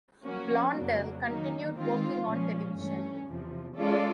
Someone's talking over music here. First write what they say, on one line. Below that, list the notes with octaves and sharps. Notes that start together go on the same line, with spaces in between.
Blondell continued working on television.
F3 A#3 C#4 F#4
F2 C#3 F#3 A#3 D4
D#3 F#3 A#3 D#4
D#3 G#3 C4 F4
A#2 F3 G#3 C#4
G2 E3 A3 C#4
E2 C3 F3
G#3 C#4 F4 A4 D5